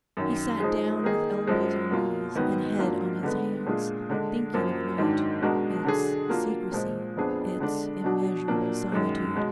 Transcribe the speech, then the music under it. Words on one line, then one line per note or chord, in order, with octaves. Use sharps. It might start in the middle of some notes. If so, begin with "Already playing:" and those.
He sat down with elbows on knees and head on his hands, thinking of night, its secrecy, its immeasurable solitude.
F#2 D#3 F#3
F3 G#3 D#4 G#4
D#3 A#3 D#4 G#4
F#2 F3 G#3
B2 A#3 F4
G#2 D#3 F#3 B3
G#2 F#3 A#3 D4 F4
D3 G#3 B3
A#2 G#3 D4 F4 G#4
D3 G#3 D4
F#2 F3 A#3
G#2 D#3 F#3 D4
B2 G#3 D4 F#4 A#4
D3 F#3 D4 G#4
F#3 A#3 D4 F4
A#2 F3 G#3
F2 F3 B3 D4 G#4
D3 G#3 D4
B2 F#3 D4
A#2 F#3 A#3 D4
F#2 D#3 G#3
B2 G#3